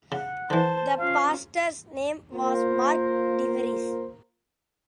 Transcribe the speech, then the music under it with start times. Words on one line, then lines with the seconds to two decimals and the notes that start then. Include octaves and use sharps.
That pastor's name was Mark DeVries.
0.12 C#3 F#5
0.50 D3 E3 C5 A5
0.98 C#4 F4 F5
2.32 A#3 F4 A#4 C5